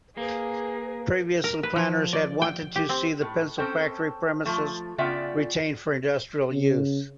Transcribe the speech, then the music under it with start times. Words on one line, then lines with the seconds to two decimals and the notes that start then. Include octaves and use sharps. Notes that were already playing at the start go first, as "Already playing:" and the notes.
Previously, planners had wanted to see the pencil factory premises retained for industrial use.
0.17 A#3 G#4 B4
1.44 A#4
1.63 B4
1.76 F3
2.13 D5
2.42 G5
2.76 G4
2.89 C4
3.21 A2
3.58 C4 C#4 A4 C5 G5
4.46 F3 A3
4.98 C#3 B3 F4 D5 E5 G5
6.51 C#3